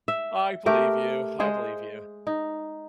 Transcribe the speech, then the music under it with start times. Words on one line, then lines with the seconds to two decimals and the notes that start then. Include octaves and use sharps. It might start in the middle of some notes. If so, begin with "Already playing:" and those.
I believe you. I believe you.
0.08 E5
0.66 A3 G4 A#4
1.40 G#3 G#4 C5
2.27 D#4